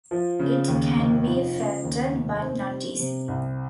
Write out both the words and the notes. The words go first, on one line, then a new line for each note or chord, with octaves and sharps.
It can be felted, but not easily.
F3
C#3
D#2
F1
F3
C#3
D#2
F1
C4
G3
C3
C2